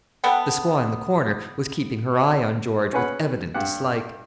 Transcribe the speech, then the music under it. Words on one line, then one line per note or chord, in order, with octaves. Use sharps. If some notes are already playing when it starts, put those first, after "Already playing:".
The squaw in the corner was keeping her eye on George with evident dislike.
B3 A4 F#5 G5
C#4 G#4 B4 F#5 B5
G2 G4 F#5